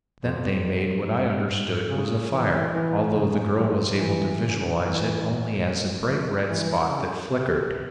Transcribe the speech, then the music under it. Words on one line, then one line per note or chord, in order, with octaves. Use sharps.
Then they made what I understood was a fire, although the girl was able to visualize it only as a bright red spot that flickered.
F2
G2
G#2
C#3
E3
E3
C#3
F3
E3
C#3
E3
F3
E3
C#3
C3